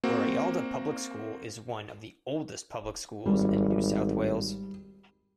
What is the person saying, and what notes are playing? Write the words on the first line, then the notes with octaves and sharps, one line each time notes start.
Warialda Public School is one of the oldest public schools in New South Wales.
A#3 C4 F#4
G#1 G3